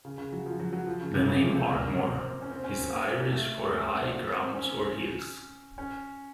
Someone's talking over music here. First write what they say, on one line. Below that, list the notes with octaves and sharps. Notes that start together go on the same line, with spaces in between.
The name "Ardmore" is Irish for high grounds or hills.
C#3
C#3
F#3
F3
F#3
F#3
F3
C#3
C3
C#3
F3
A3
A#3
A#3
C4
C#4
C4
C#4
C4
A#3
A3
A3
C4
A#3
C4
C#4
C#4